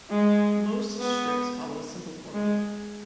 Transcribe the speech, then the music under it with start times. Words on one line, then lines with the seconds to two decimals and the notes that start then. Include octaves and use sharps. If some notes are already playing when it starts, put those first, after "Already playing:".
Most strips follow a simple formula.
0.10 G#3
1.00 B3
2.34 G#3